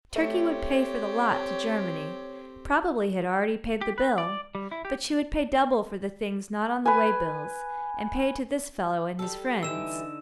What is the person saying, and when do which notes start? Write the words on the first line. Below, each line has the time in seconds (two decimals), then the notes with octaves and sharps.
Turkey would pay for the lot to Germany: probably had already paid the bill: but she would pay double for the things not on the way-bills, and pay to this fellow and his friends.
0.16 A3 C4 G4 C#5
3.81 G4
3.98 B4
4.18 D5
4.55 G3
4.71 E4
4.85 G4
6.86 B4 G#5
9.19 G3 A4
9.63 D3 E3 D#4 D5 E6 E7